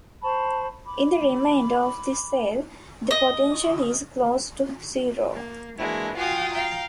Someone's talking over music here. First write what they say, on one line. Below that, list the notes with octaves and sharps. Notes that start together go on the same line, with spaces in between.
In the remainder of the cell the potential is close to zero.
C5 A5 B5 C#6
B5 D6
D#5
A#3
E3 G#3 A#3 D4 E4 F#4
F4 F#4 F5 G5 G#5 D#6
F5 G5 A#5